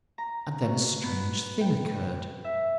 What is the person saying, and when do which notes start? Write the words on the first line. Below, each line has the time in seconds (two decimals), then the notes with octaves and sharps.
And then a strange thing occurred.
0.18 A#5
0.64 B2
1.03 B3
1.61 G5
2.44 E5